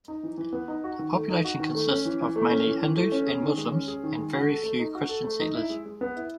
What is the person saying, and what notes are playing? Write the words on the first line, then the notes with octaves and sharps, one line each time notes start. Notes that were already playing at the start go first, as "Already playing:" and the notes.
The population consists of mainly Hindus and Muslims and very few Christian settlers.
D#4
E3
E3
B3
D#4
F#4
D#3
A3
D#4
F#4
D#3
A3
C#4
E3
E3
A3
C#4
E3
E3
A3
C#4
G#4
D#3
G#3
C#4
G#4
D#3
G#3
F#4
A4
A3
D#4
F#4
A4
A3
D#4
E4
G#3
G#3
B3
E4